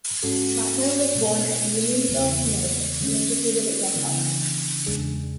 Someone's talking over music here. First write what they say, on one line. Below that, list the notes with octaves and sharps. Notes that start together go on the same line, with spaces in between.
Platner was born at Unionville, Connecticut, and educated at Yale College.
G#2 G#3 C#4 F#4 A4
B2 G#3 B3
E2 C#3 E3 B3
D3 G#3 C#4
C#3 E3 B3 D4
E2 C#3 G#3 D4 G#4